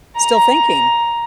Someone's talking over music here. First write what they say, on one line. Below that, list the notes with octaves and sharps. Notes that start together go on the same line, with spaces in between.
still thinking.
A#5